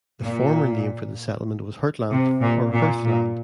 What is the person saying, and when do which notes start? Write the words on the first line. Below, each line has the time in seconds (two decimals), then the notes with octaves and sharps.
The former name for the settlement was "Hurtlanth" or "Hurthland".
0.22 A#2
2.10 C3
2.42 A#2
2.74 A#2
3.05 A#2